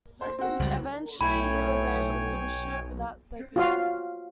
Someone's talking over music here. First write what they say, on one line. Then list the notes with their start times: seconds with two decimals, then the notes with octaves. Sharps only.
Eventually, he was able to finish it without sleeping.
0.21 C5
0.39 C4 F#4
0.59 C#2 G3
1.21 B1 A2 C#5 G5 G#5 B5
3.56 F4 F#4 F5